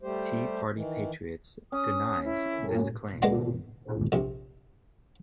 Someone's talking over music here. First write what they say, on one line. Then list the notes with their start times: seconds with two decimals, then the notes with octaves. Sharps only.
Tea Party Patriots denies this claim.
0.02 G3 A3 G4 C5
0.72 D#3 E3
1.72 C#4 D#6
2.25 E4
3.22 G#3 A#3 B3 D4
4.12 A#1 C3